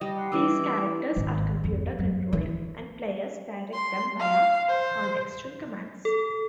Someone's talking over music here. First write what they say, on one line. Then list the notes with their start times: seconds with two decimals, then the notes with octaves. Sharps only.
These characters are computer-controlled, and players direct them via contextual commands.
0.01 G3 D#5
0.18 F#5 C6
0.32 E3 D#5 D6 E6
1.16 G#1
1.64 F2
1.99 F#2
2.33 E3
3.73 C6
4.20 F5
4.68 C5
6.05 A4